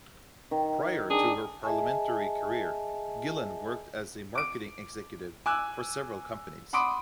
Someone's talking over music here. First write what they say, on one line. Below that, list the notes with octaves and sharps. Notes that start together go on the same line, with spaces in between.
Prior to her parliamentary career, Gillan worked as a marketing executive for several companies.
D#3
D4 D#4 G#4
G#4 D#5 E5 G#5 A5
D6 D7
G#5 D6 E6 F#6
F#5 B5 C6 D6 D#6 D7